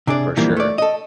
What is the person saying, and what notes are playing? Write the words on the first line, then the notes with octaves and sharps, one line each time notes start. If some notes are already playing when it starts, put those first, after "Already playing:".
For sure.
C3 D4 G#4 D5
A#2 E3 F3 G3 A#3 B3
A3 D5
A4 D#5